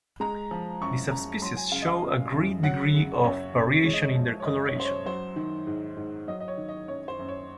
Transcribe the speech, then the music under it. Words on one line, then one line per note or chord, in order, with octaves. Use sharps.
The subspecies show a great degree of variation in their colouration.
G#3 A#5
F3
F#2 C#6
F#2 A#5
F#3 C6
G#5
C#3 F5
D#5
F5
F#2
F#2
F#3 F#5
C#3
F#2 C#5
F#2
G#3 C#5
D#5
C#5
F3
C#5
F#2 D#5
C#5
F#2 C5
C#5
F#3 C5
D#3
G#2
G#2
F#3 D#5
D#5
C#5
D#3
D#5
F#2 C#5
C5
F#2
C#5